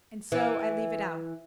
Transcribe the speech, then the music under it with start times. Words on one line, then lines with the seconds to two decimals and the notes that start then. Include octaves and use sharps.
And so I leave it out.
0.32 E3